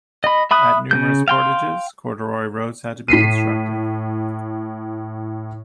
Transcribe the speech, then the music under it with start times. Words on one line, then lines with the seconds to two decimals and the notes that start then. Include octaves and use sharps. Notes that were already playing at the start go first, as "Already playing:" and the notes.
At numerous portages, corduroy roads had to be constructed.
0.24 D#5 B5
0.51 E5 B5 D#6 F#6
0.91 C#3 A#3 G6
1.28 F5 G5 C6
3.08 A2 B6 C7 D#7